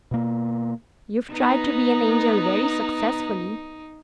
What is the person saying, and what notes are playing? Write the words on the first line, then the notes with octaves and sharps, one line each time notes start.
'You've tried to be an angel very successfully.'
B2 A#3
B3 D#4 A#5